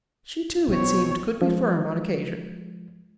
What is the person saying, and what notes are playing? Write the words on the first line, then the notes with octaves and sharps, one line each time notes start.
She, too, it seemed, could be firm, on occasion.
B1 B2 C4 C#5
F3 G#3